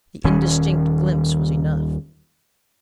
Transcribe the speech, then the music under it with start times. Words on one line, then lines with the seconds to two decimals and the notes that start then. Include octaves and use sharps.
The indistinct glimpse was enough.
0.24 D#1 D#3 C#4